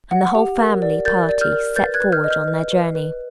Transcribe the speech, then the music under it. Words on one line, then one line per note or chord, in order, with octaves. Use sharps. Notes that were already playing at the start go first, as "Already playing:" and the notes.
And the whole family party set forward on their journey.
F#5
G4
A#4
D5
A#4 G6 A6
D5
F6 G6
A#4
B4 G6 A6
F#6 G#6
B4
F6 G6
D#5
F6 G6
B4
B4
B4